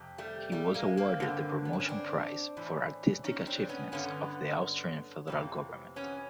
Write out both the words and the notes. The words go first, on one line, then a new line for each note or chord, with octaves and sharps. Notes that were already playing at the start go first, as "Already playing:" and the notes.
He was awarded the Promotion Prize for Artistic Achievements of the Austrian Federal Government.
Already playing: F2 C3
G3 A3
G3 A3
G#3 A#3
A#3 C4
G2 D3
B3
C4
C#4
C4 D4
A2 E3
C#4 D#4
C4 D4
B3 C#4
G2 D3 B3 C#4
F2 C3 E3
B3 C#4